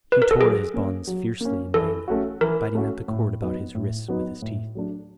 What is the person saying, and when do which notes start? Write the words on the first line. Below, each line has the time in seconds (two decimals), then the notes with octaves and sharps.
He tore at his bonds fiercely and vainly--biting at the cord about his wrists with his teeth.
0.12 B4
0.22 A#4
0.31 A4
0.40 F#3 G#4
0.74 A#3 C#4
1.07 F#3
1.41 A#3 C#4
1.74 E3 A4
2.08 A3 C#4 F#4
2.41 E3 A#4
2.75 A3 C#4 F#4
3.08 A2
3.42 F#3 B3 D#4
3.75 A2
4.08 F#3 B3 D#4
4.42 A2
4.75 F#3 A3 D4